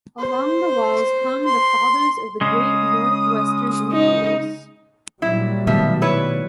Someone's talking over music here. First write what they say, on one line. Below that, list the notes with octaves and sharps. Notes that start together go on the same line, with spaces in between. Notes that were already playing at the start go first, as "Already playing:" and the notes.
Along the walls hung the fathers of the Great Northwestern in oils.
C5
C6
C#3 G#3 D#6
D#4
A#2 F#3 G3 E4
B2 D#3 F3 A3 E5
E4 B4 C#5